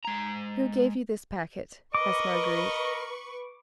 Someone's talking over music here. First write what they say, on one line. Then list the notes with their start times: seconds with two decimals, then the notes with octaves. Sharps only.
"Who gave you this packet?" asked Marguerite.
0.05 G#3 A#5
1.95 A#4 B4 D#5 C#6 D6